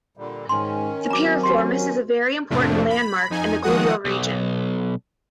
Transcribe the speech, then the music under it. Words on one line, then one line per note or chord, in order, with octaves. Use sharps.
The piriformis is a very important landmark in the gluteal region.
A#2 D3 G3
G#2 D#3 C#4 C6
F#3 C4 A#5 D6
F#4 G4 C6
F2 A2 C3 F3 A3 D4
B5
F2 D#4 G#5
D#3 F3 G#3 F#4 F#5 D#6
B1